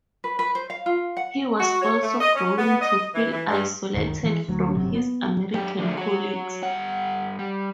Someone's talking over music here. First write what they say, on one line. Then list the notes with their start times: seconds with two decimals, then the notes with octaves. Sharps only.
He was also growing to feel isolated from his American colleagues.
0.24 B4
0.39 B4
0.55 C5
0.70 F5
0.86 F4
1.17 F#5
1.60 F#4
1.81 C#5
2.03 A3
2.20 D#5
2.35 C#4
2.58 B3
2.81 D#5
3.15 E3
3.32 E3
3.50 G2
3.94 F#1 C#2 D#3
4.23 E3 G#3
4.48 D2 F#3
4.73 G1 C3 F#3
4.94 B3
5.54 F#2 G4
5.79 D3 G#3 A3
5.97 F#4 C#5
6.62 G2 F#5
7.39 G3